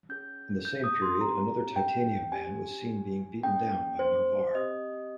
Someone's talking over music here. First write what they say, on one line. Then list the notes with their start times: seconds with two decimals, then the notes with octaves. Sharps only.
In the same period, another Titanium Man was seen being beaten down by Noh-Varr.
0.09 C#4 G#4 G6
0.65 G6
0.84 D#6
1.02 C6
1.20 C4 G4 A#5
1.76 G5
2.32 C#4 G4 G#5
3.43 A#3 C#4 G#4 G5
3.99 C5
4.55 C4 G4 D#5